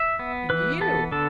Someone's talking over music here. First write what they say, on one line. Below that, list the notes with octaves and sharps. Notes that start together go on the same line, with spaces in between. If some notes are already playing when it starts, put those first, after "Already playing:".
And you!
Already playing: E5
B3
E3 B4
B3 A4
D3 A4